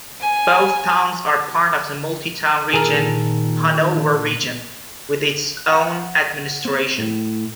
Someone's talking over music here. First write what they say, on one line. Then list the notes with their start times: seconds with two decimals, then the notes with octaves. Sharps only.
Both towns are part of the multitown region "Hanover Region" with its own administration.
0.21 G#5
2.73 A#2 D#3 G#4 A#4 A5 E6
5.72 F#5
6.65 C4
6.98 A2